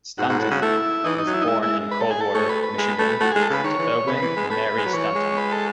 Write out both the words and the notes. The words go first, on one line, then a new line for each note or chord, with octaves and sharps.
Stanton was born in Coldwater, Michigan to Erwin and Mary Stanton.
G#2 F#4
G#2
A2
C#3
A3 E4
E3 D#4
D#4
F#3
E4
D#4
G#3 E4
E4
B4
A4
G#4
A4
A3 C#5
B4
B4
G#3
A3
A3 F#4
G#3 G#4
A4
C#3 B4
D#3 C#5
E3
C#3 B4
E3
G#3
A3 B4
G#3
F#3
E3 C#5
G#3
B4
A4